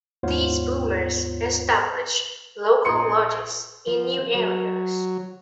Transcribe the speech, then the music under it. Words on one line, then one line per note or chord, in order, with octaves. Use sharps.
These boomers established local lodges in new areas.
D#2 G#2 B3 F4 C5 C#5
A#1 C6 C#7
F3
F#3